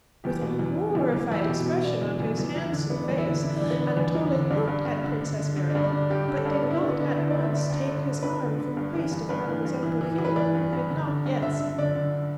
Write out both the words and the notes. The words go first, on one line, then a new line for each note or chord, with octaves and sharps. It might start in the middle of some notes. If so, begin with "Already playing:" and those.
With a horrified expression on his handsome face, Anatole looked at Princess Mary, but did not at once take his arm from the waist of Mademoiselle Bourienne who had not yet seen her.
E2 G4
B2
E2
B2
E2
E2
E2 E4
G4
B2 E4
B2
B2 D4
E2
E2
E2
E2
D3
D3 B3
E2 D4
E4
D3
D3 E4
E2 D4
B3
D3
D4
E2
E2
D3
G2 D4
G2
G2
D3
D3
D3
D3
G2 D4
D4
D3
D4
G2 G4
D3 G4
A4
G2 D4
D3 B3
E4
D3 D4
B3
D3 D4
D2 E4
D2 D5
E5
D3 D5
D2
D3
D3
D3 B4
D3
D3
G2
E3
G2
G2 B4
E3
G2
E3
E3
E3
B4
E3 D5
G2
G2
D3
D3
G2
D3 E5
D3 E5
D3 D5
D3